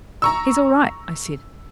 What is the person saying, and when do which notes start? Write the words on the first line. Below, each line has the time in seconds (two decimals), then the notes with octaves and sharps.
'He's all right,' I said.
0.22 A#5 C#6 E6